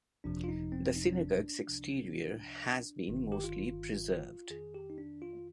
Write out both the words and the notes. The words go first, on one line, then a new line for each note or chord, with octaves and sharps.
The synagogue’s exterior has been mostly preserved.
G1 F2 C3 F3 D4
F4
D#4
C4
D#4
D4
C4
D4
C2 C3 F3
G1 G2 D#3
G4
F4
F2 D#3 G#4
G4
D#4
D4
F4